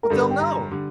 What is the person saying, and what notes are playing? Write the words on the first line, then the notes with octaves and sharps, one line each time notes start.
"But they'll know...."
A#4
G2 D3 G3 A4
A#4
G5
A#5
D3 G3